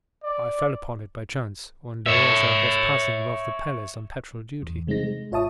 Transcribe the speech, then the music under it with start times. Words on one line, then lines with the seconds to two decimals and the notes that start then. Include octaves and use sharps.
I fell upon it by chance one day as I was passing above the palace on patrol duty.
0.24 D5
2.06 C#5 E5
4.62 E2
4.87 C3 G#3 C4 D#4 A#6
5.03 G#3
5.31 G#1 F4 C#5 E5 A5 D#6